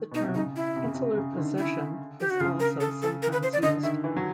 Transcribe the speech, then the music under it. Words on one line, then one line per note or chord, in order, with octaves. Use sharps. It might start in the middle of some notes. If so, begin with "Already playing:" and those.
The term insular possession is also sometimes used.
Already playing: D#3
B2 D#4
C3
C#3 D#4
E4
C3
C#3
C3
C#3
D#3
D3
E4
G4
F#4
C#3 F4
A#4
A4
A4
A#4
B4
C5
D5
D3 D#5
D#3 E5
E3
F#3